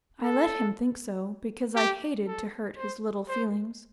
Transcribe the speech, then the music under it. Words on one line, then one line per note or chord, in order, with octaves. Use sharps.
I let him think so, because I hated to hurt his little feelings.
A4
G4
A4
C5
C5